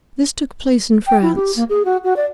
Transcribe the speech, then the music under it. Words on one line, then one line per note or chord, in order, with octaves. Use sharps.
This took place in France.
G5
E4
G4
A#3
G#4
F#4
F#4
D5